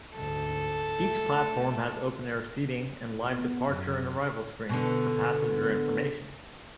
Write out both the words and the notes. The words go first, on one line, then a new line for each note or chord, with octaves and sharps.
Each platform has open-air seating and live departure and arrival screens, for passenger information.
D2 G#2 A4
A3
B3
F#2
B2 D3